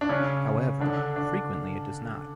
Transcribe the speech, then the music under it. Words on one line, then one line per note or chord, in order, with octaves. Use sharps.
However, frequently it does not.
D4
C#3 C#4
D3 D4
D4